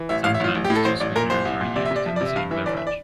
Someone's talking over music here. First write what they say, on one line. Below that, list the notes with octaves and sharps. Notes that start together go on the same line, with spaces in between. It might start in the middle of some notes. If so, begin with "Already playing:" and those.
Sometimes two sweeteners are used in the same beverage.
Already playing: E3
A1 E5
A1 F5
E5
A1 F4
A1
G4
A2
A4
A1 C5
A1 D5
A#2 A#4
C2 C5
C2
A#2
C3 D5
E5
C3
D5
F3 E5
D5
C3
E5
G2 F5
E3 E5
G1 D5
E5
D5